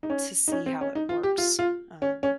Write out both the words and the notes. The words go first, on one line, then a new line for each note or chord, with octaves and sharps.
to see how it works, um
D#4
C#4
D#4
C#4
C4
C#4
D#4
F4
G4
F4
F4
C#4
C#4